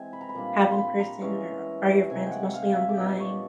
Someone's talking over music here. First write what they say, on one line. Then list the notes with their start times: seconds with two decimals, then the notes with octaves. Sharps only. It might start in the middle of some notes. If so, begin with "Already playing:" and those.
have in person, or are your friends mostly online?
Already playing: E3 G#3 C4 G#5
0.13 B5
0.21 A#5
0.29 B5
0.34 A#2 G3 A#3 D4
0.72 C6
0.78 B5
1.00 A#5
1.22 E3 G#3 C#4
2.10 C3 D#3 G#3 G#5
2.26 F#5 G5
2.54 F5
2.75 E5
2.89 D5
2.97 A#2 G3 B3 D4 D#5
3.20 C#5